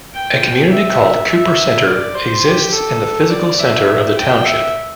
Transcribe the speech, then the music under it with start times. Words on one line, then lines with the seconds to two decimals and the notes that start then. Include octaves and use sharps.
A community called Cooper Center exists in the physical center of the township.
0.15 G5
0.72 E5
1.29 E5
1.86 D5
2.15 C5
2.44 G4
2.72 A4
3.30 D5
3.59 E5
4.17 G5
4.45 E5